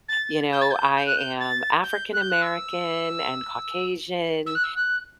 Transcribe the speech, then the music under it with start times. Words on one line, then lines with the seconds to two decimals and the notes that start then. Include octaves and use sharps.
you know, I am African American and Caucasian,
0.08 A6
0.52 G6
0.61 A6
0.70 G6
0.96 G6
1.06 F#6
1.17 G6
1.39 A6
1.83 G6
2.13 F#6
2.21 G6
2.30 F#6
2.42 E6
4.46 E6
4.55 F#6
4.63 E6
4.75 F#6